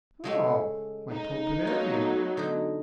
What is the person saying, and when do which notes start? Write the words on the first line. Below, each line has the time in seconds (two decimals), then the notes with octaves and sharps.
"Oh, my poor Pinocchio!"
0.24 C#3 G#3 A3
1.11 D#4
1.67 F#3 A3 B3 F4
2.37 D3 D#4